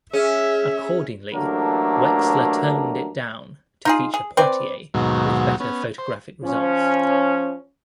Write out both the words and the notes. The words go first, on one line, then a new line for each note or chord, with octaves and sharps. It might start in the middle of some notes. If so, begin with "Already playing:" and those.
Accordingly, Wexler toned it down to feature Poitier with better photographic results.
C#4 G#4 E5
A1 F#3 A3 A#3 D4 A#4
D#4 F4 G#4
G#4
C4 B4 C5 D5
D#2 G#2 B2 F#3
B3 C#4
C5
F3 C#4